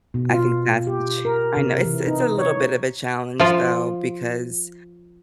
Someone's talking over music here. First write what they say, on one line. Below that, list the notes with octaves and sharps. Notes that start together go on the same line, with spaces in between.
I think that's the ch I know, it's it's a little bit of a challenge though, because
B2
F4
G4
A#4
C3
E3
D#4
C#5
F3 F4